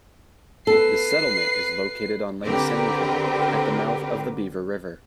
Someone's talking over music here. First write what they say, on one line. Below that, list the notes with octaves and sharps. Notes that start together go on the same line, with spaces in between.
The settlement is located on Lake Simcoe at the mouth of the Beaver River.
A4 B4 C7
D3 C4 G4 A#4 B4